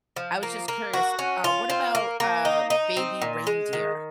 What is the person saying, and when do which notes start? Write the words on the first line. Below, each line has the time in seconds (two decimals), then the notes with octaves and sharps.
I was just curious, w uh, what about, uh, Baby Reindeer? Have
0.16 F3
0.43 A#3
0.68 A#3
0.93 F#4
1.19 C#4
1.44 F4
1.70 C4
1.95 A#3
2.20 A#3
2.45 D#4
2.70 D#4
2.97 C4
3.22 A#2
3.47 G#3
3.73 D#3